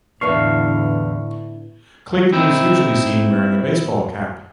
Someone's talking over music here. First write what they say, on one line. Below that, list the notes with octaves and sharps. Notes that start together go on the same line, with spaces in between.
Clayton is usually seen wearing a baseball cap.
E2 A2 D3 B3 D4 E4 F5 C#6
C4 D#4 E4